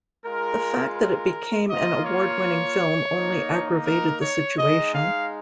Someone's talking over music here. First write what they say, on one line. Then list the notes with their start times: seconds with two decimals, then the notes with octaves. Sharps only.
The fact that it became an award-winning film only aggravated the situation.
0.24 G#3 F4 A#4
0.96 A#4
1.68 A#3 F4 D#5
2.04 C#5
3.12 A#3 D#4
3.85 A#4
4.21 C#5
4.57 G#3 D#4 D#5
4.94 F5